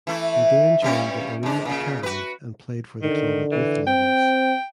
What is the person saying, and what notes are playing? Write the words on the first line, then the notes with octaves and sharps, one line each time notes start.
He then joined the Arema Academy and played for the club at youth levels.
E3 A3 E4
G2 G3 C#4
G#2 D4
A#2 C#3
F#4 B4
D3 D#3
E3
C4 G5